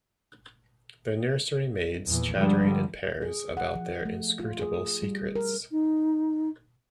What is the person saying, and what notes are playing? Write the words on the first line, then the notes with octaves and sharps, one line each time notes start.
The nursery-maids chattering in pairs about their inscrutable secrets.
E2 A#2 E3
G2 D3 F3 G3 G#3
G#4
F#5
F3
A3
F4
G#4
G3
A#4
D#4